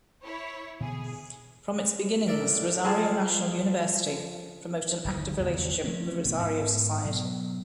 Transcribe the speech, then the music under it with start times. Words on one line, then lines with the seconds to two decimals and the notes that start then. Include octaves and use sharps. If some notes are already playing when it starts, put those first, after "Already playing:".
From its beginnings Rosario National University promoted an active relationship with Rosario society.
0.23 E4 C#5
0.80 B2 D3 E3 G#4
2.28 A2 A#4 D5 E5
2.85 C3 F3 F4 G#4 D#5 A5
5.05 G1 D#2 D#3
5.37 G#1 E2 C#3 F3
5.84 F3 A3 C4 C#4
6.25 G#1 B2 A3
6.42 G#2 B3
7.05 B2 F#3